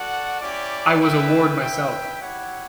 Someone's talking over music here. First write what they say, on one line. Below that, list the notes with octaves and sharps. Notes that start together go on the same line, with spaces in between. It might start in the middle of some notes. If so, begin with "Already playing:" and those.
I was a ward myself.
Already playing: F#4 A4 D5 F#5
C#4 E4 G4 D5
A3 E4 B4 E5 G5
E4 B4 E5 G5
E4 G4 C#5 F#5